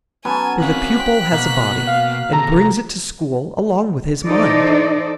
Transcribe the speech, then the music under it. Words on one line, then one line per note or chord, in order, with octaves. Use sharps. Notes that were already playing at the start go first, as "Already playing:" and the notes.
For the pupil has a body, and brings it to school along with his mind.
F#3 B3 C#4 G#5 A5
C4 A#4 F5 F#6 B6
C5 G5
B2 A#3 F#4
F5
C3 G#4 A4 A#5
E3 D#4 A4 C5 D5 D#5